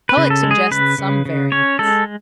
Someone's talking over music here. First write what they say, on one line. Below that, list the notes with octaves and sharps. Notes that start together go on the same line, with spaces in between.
Kullak suggests some variants.
B4
C#3
A4
G#3
G#4
C#3 B4
C#3
C#3
C#4 C#5
G#3 A4